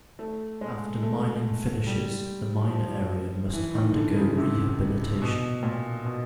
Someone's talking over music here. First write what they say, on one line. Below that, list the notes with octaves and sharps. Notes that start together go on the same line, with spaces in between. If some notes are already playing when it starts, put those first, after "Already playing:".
After mining finishes, the mine area must undergo rehabilitation.
A3
G#3
A3
G3
F3
E3
D#3
D3
C#3
C3
B2
A#2
B2